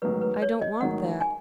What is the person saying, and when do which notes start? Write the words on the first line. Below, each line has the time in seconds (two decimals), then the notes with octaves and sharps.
I don't want that.
0.02 A1 G#2 D#3 F#3 B4
0.21 B4
0.42 C#5
0.61 D#5
0.81 A1 G#2 D#3 F#3 F#5
1.21 G#5